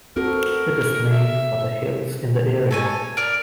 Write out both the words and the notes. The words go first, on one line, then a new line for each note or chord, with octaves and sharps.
It is named for the hills in the area.
C4 F#4 A4 A#4
E5
A4 C#5 G#5
A#4 D5 F6